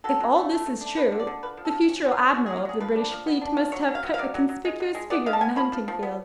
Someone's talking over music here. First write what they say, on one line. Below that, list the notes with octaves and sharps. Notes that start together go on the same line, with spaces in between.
If all this is true, the future admiral of the British Fleet must have cut a conspicuous figure in the hunting-field.
F#3 A4
F#3
A3
A3
A3
D4
D3 B4
D3
D5
D3
F3 B4
F3
A4
F3
C#4
C#4
F4
C#4
F#3 F#4
G#4
F#3
F4
F#3 G#4
F3 B4
D4
F3
B3
D4
F3
F#3 C#5
F#3
F5
F#3
F5
F#3 D5
F#3
F#3
G#3
B2
G#3
B3 D5
G#3 F5
A5
B3 G#5
F3 B5
F3
F3
B3